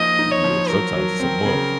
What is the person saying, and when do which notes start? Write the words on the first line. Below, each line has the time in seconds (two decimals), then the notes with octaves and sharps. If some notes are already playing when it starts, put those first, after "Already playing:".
Yeah, sometimes it's a month.
Already playing: F3 A#3 D#4 D#5
0.19 D#4
0.31 C#5
0.44 F3
0.69 F#3 A#4
0.95 F#3
1.20 C4
1.45 C#3